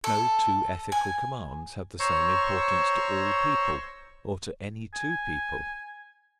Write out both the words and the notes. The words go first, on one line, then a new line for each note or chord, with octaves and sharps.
No two ethical commands have the same importance to all people or to any two people.
A4
G#5
C5 C#5 A#5 C6 C#6 E6
G#5